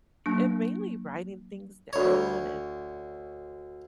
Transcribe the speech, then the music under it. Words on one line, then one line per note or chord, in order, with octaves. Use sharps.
and mainly writing things down, and
F#3 A#3 D4
D2 C#5